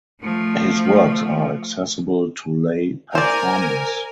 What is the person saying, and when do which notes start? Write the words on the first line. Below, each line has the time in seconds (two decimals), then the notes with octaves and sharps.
His works are accessible to lay performers.
0.21 F3 A3
3.15 A#4 C5 D5 G#5